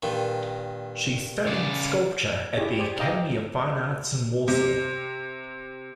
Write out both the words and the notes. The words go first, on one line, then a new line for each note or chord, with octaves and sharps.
She studied sculpture at the Academy of Fine Arts in Warsaw.
G2 A#2 D#3
C#3 D5
E4 G4 G#4 C#5
G4 C5 D5 G#5
D#4 D#5 F5 G5 A#5 D6
C3